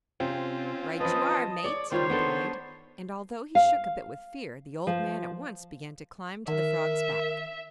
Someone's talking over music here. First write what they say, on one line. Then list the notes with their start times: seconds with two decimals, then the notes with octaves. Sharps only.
"Right you are, mate," he replied, and although he shook a bit with fear, the old man at once began to climb to the frog's back.
0.20 C3 C4 C#4 F4
1.01 F3 B4 D#5 A5 D#6
1.64 C#5 D5
1.92 D#3 G3 A#3 F4 C5 C#5
2.10 B3 D4 A4
3.55 F5
4.87 F3
6.48 D#3 A#4 E5